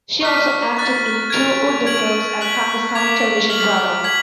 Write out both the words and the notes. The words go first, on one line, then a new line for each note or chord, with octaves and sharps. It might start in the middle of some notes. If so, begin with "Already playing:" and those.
She also acted in two Urdu films and Pakistani television dramas.
C#6 F6 B6
C#6 F#6 A6
G#6 D7 F7
C#6 G#6 D7 F#7
F#6 B6 F#7
D6 G#6 B6 F7
F6 B6 F#7
G#6 B6 F#7